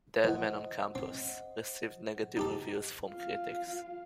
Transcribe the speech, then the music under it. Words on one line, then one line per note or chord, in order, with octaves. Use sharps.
"Dead Man on Campus" received negative reviews from critics.
E3 C5 D#5 F#5
C4
D#4 G4 A4
F4 F5